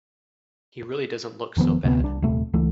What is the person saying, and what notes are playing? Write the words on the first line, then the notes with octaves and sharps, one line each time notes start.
He really doesn't look so bad.
E1 D#3 F3 B3
D2 C3 G#3 B3
C2 D4
D#1 C3 A3
C#2 E3 A3